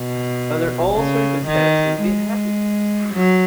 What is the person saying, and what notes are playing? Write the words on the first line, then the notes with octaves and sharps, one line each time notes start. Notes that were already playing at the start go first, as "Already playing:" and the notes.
Under all circumstances be happy.
Already playing: B2
C#3
D#3
G#3
F#3